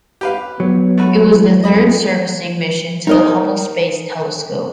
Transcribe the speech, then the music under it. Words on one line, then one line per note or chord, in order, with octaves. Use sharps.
It was the third servicing mission to the Hubble Space Telescope.
G4 B4 F5
F#3 B3
A3 F#4 B4
E3
F2 D#5 B5
D#4 A#4 D#5